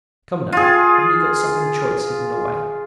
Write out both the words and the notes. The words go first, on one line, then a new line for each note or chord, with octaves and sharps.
Come, now, haven't you got something choice hidden away?'
F4 G#4